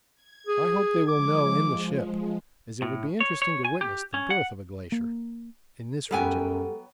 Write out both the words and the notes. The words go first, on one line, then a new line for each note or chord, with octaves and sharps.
I hope they will know in the ship, as it would be interesting to witness the birth of a glacier in this region.
G#6
G#4
F3 G#3 D6
A2
C#5
C#5
G#5
G4
C#4
F#5
A#3
F#2 F#3 G3 B3 A4 G5 G#5